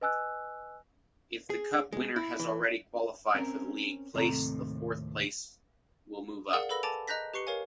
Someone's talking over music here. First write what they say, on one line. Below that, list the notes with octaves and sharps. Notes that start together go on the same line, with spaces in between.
If the cup winner has already qualified for the league place, the fourth place will move up.
B4 D#5 G#5 E6 F#6
G#4
G#3
E4
E3
C4 C#4 A#4
D#2 A2 C3 C4 A4 A#5
G#4 A#4 D5 F5 F#5
A4 B4 B5 E6 A#6
G#5 A5 D6 A6 D7 F7
D#5 A#5 F#6 G6 A#6 B6
G4 B4 C#6 C7 C#7 G7
A#4 C#5 F5 G#5